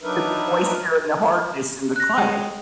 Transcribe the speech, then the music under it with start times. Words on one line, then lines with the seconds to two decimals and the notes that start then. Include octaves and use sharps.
the moisture and the hardness in the clay,
0.03 F#3 D4 D#4 A#4 B4 E5
1.96 F#6 A#6
2.18 G#3 F#5 G5